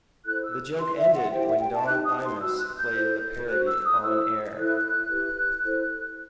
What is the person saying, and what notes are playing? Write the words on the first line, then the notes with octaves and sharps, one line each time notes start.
The joke ended when Don Imus played the parody on-air.
E4 A4 C5 F#6
E6
E4 B4 C6
E5
F#5
E4 G4 C5 G5
E5
G5
A5
D#4 G4 B4 F#6
D#6
C6
F#4 B4 E6
F#6
G6
E4 A4 C5
F#4 C5 F#6
E6
D#6
E4 A4 C5 E6
E4 A4 C5 F#6
E4 G4 B4
E4 A4 C5